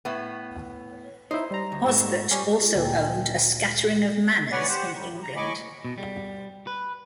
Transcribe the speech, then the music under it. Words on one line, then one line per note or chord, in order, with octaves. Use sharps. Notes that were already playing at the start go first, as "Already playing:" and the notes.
Osbert also owned a scattering of manors in England.
A2 B3
D#4 E4 C5
G3 A#5
D2
G#2 A3
G3 C#4
D2 A#2 G5 G#5
B4 C#5 D5 F#5 G#5
G4 C5 F#5
F#2 G3
A2
A#5
A2 D#5 G#5 B5 C#6 D6
B2
G3
B4